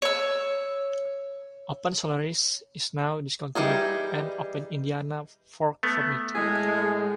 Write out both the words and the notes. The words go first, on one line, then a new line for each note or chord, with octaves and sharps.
OpenSolaris is now discontinued and OpenIndiana forked from it.
C#5 E6
E3 G3 D#4 G#4
A3 B3
A2 G#3 G#4